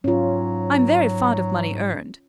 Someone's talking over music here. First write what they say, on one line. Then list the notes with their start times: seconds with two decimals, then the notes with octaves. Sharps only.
I'm very fond of money earned.
0.04 G#2 F#3 C#4 F4